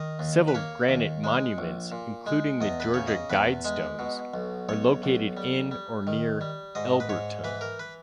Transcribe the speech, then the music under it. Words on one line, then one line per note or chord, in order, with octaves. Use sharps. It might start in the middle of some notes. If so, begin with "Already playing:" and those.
Several granite monuments, including the Georgia Guidestones, are located in or near Elberton.
Already playing: D#3 D#5
D#2
B4
A#3 C#5
D#2
G#3
A#1
A#2
G#3
E2 D#5
B4
C#3 C#5
D#5
E2 B4
G#3
B2
B1
B1 C#5
B1
G3
G3
D#3
G3
G#2 D#5
B4
G#2 C#5
E3 B4
A#4
B4